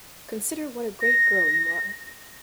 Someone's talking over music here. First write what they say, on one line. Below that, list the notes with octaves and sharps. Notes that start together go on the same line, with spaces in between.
Consider what a great girl you are.
A#6